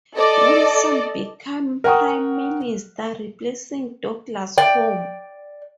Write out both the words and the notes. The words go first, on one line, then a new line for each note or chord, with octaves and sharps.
Wilson became Prime Minister, replacing Douglas-Home.
A4 D5 D#5
A#4 F#5 G5 C#6 D#6
D5 G5